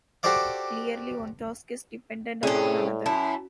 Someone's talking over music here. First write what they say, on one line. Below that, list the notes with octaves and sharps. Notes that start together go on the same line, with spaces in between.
Clearly one task is dependent upon another.
F#4 G4 A4 C5 D5 F5
A2 C3 C#4 G#4 A4 D5
F#2 E4 A5